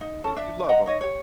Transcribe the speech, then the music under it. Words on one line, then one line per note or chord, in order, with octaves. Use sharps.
You you love him.
D#4
C#4 A4 A5
D4 E5
D#5 F#5 G5 A#5
D#4 C#5 D#5
G4 C#5